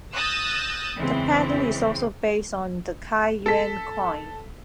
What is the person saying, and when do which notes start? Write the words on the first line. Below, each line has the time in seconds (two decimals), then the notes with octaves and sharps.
The pattern is also based on the Kai Yuan coin.
0.14 D#6 E6 F#6 G6 A6 A#6
0.98 E2 C#3 E3 G#3 C4
3.46 A4 B6